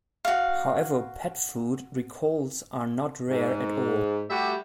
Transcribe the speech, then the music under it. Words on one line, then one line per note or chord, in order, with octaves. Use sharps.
However pet food recalls are not rare at all.
F#4 F5
G#2
G3 A3 F#4 G4 E5